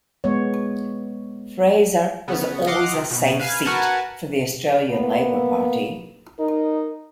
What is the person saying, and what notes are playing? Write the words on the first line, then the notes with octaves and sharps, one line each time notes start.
Fraser was always a safe seat for the Australian Labor Party.
G#3 B3 C#5
C#3 B3
D#5 F5 F#5 C6 D6
C3
B2
B4 F5 G#5
F#4 A#4 B4 F#5 G#5 A5
A#3 B3
D#4 A#4